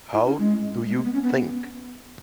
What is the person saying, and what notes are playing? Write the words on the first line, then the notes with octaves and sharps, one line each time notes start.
How do you think?
E4
C#4
G#3
G#3
A#3
B3
C#4
B3